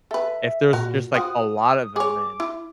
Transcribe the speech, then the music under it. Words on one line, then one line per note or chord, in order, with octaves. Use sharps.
if there's just, like, a lot of them, and
A4 B4 E5
A#2 F#4 A#4
C4 F4 F#4 D#6
G#4 C#5 D6
E4